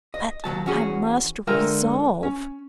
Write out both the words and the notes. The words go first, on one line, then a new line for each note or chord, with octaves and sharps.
But I must resolve.
D#5
D#2 D#3 F#3 A5
E2 C#4 F#4 G#4
D3 G#3 F4 A#4 E5 G5
C#4